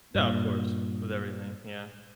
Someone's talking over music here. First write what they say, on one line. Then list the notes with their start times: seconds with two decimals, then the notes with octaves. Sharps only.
Yeah of course, with everything. Yeah.
0.15 G2 A#2